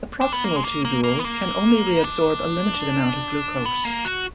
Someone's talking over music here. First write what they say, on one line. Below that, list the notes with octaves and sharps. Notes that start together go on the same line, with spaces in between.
The proximal tubule can only reabsorb a limited amount of glucose.
D4
B3
A#3
G#3
A#3
A#3
A#3
B3
A#3
D4
B3
A#3
F#4